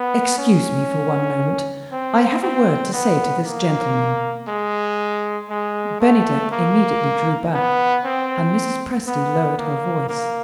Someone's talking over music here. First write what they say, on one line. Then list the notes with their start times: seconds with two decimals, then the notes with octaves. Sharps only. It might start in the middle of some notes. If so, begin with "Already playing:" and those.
"Excuse me for one moment; I have a word to say to this gentleman." Bennydeck immediately drew back, and Mrs. Presty lowered her voice.
Already playing: B3
0.38 C#4
1.92 C4
2.43 C4
2.94 B3
3.45 A#3
4.48 G#3
5.50 G#3
6.01 A3
6.51 A#3
7.54 B3
8.05 C4
9.07 B3
9.58 A#3
10.09 A#3